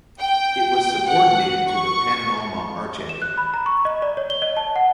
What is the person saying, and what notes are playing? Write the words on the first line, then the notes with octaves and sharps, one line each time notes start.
It was subordinated to the Pannonhalma Archabbey.
G5
F#5
C#6
E7
F#6
B5
A#5
C#6
D#5
D5
C#5
G7
D#5
A5
F#5